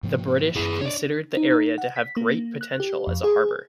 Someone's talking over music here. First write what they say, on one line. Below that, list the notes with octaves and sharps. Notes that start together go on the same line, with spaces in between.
The British considered the area to have great potential as a harbour.
G#2 F3 A#3
E1 F#2 E4 G#4
D4 C#5 D5
D#4
D#4
F#5
B6
A#3
F#6
G4
F2
G#4